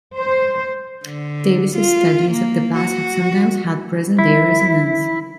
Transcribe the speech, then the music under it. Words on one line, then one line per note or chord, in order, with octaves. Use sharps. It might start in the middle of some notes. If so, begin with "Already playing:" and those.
Davis's studies of the past have sometimes had present-day resonance.
C5
D3
F4
A#3
F#4
E4